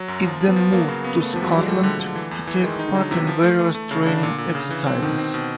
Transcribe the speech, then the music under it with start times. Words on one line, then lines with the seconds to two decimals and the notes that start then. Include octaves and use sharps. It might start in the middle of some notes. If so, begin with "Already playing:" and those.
It then moved to Scotland to take part in various training exercises.
Already playing: F#3
0.08 F#2
0.24 F3
0.41 F3
0.48 B3
0.56 F3
0.72 F#3 A#3
0.88 C#3
1.04 B3
1.20 A3
1.34 C3 F3
1.43 F#3
1.51 E3 G3
1.59 G#3
1.67 G3 A3
1.83 D3
2.00 D3
2.16 E3
2.31 E2
2.47 E3
2.63 D#3 G#3
2.79 D#4
2.87 D3
2.95 F#3
3.11 C3 E3
3.27 F3
3.43 A3
3.59 A3
3.75 A3
3.91 C#3
4.07 D3 D4
4.23 A#2
4.38 A#2
4.55 C#3
4.71 E3
4.86 C4
4.98 D3
5.02 B2 D#3
5.18 C4
5.34 B2